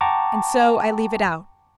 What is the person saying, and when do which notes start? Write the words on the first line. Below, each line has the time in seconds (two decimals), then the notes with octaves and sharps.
And so I leave it out.
0.01 F#5 G5 A5 A#5 C#6 D6